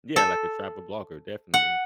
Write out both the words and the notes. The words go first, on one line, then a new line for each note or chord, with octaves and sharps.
Yeah, like a travel blogger, definitely,
A4
F#5